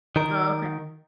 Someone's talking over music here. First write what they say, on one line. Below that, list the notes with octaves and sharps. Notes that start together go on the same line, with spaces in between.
Oh, okay.
D#3 A#4